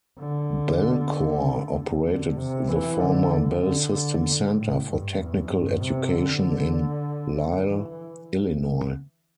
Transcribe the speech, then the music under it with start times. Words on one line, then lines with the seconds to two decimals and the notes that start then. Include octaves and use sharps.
Bellcore operated the former Bell System Center for Technical Education in Lisle, Illinois.
0.19 D3
2.06 D3
2.37 C3
2.69 E3
3.00 D3
3.62 D3
3.94 D3
4.56 A2
4.87 G2
5.19 E2
5.50 G2
5.81 C3
6.12 D3
7.68 E3